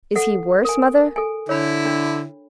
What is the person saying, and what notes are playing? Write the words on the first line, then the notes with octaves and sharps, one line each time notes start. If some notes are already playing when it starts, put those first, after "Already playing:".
"Is he worse, mother?"
A4 F#5
A#4 G#5
A4 G#5
D3 E4 C#5 B5
D4